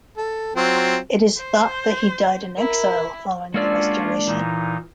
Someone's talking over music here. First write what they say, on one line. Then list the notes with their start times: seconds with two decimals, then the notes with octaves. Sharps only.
It is thought that he died in exile following the Restoration.
0.17 A4
0.56 F#3 C4 F4
1.38 C5
2.58 E4 A#4
3.54 G#3 A#3 C#4 D4 F4 F#4 D5 E6
4.27 A#2 E3 D#4